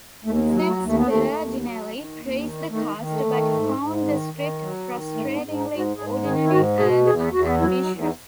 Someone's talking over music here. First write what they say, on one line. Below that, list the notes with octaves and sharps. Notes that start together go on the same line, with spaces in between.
James Berardinelli praised the cast but found the script "frustratingly ordinary and unambitious".
D#2 A3
G#3
F#3
A3
D#2
A3
B3
D#2 A3
D#2
F#3
D#3
D#2
D#3
D#3 A3
D#3
A3
D#3
G#2
G#2
D#3
D#3
F#3
D#3
G#2 A3
B3
G#2
D#4
G#2
F#4
G#2 G#4
D#3 G#4
E4
G#2 F#4
B2 G#4
E2 G#4
E2 F#4
F#3 E4
D#4
E2
D#4